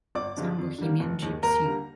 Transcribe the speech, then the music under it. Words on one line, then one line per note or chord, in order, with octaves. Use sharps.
Some Bohemian gipsy.
G1 D5 D6
G2 D3 F3 G#3
F2
D3 G3 A#3
F1
D#2 D#3 G#3
D#2 A#4 A#5
D3 G3 A#3